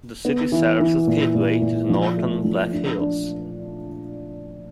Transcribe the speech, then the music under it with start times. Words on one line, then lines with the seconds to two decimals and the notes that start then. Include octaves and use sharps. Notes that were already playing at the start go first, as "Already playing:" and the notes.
The city serves as gateway to the northern Black Hills.
0.25 B3
0.52 E3
0.80 E3
1.07 A#2
1.35 A#2
1.62 A#2
1.90 F3
2.17 A3
2.44 F3
2.72 D4
2.99 D4